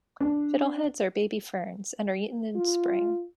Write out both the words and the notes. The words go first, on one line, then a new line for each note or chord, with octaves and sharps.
Fiddleheads are baby ferns, and are eaten in spring.
D4
F4